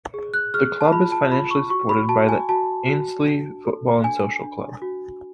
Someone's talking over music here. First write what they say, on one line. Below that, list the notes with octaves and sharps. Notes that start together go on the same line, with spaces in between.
The Club is financially supported by the Ainslie Football and Social Club.
G#4
F#6
G#4 F6
A5
F4 B5
A5
F4 B5
C#6
F#4 C#6
B5
F#4 A5
G#5
F#4 A5
F#4
D4
A4
D4 G#5
D4
F#4